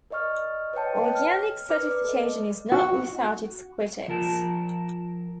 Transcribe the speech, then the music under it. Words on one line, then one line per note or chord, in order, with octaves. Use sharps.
Organic certification is not without its critics.
A#4 D5 D#5 C#6 F6
B4 C#5 D#5 G5 A5
F6
A#4 B4 D5 D6 F6
A4 D#5
F#4
F3 A#4 A5